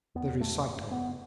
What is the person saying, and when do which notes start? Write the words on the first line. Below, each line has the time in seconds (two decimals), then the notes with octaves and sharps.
The Recital.
0.15 E2 B3
0.40 E2 A3
0.66 F#1
0.91 F#1 B3